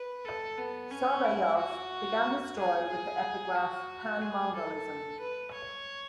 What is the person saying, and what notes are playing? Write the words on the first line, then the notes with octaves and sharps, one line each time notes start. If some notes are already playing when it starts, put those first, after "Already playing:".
Solovyov began his story with the epigraph: Pan Mongolism!
Already playing: B4
A4
B3
C#4
E4
F#4
G#4
G#4
F#4
G#4
A4
B4
C#5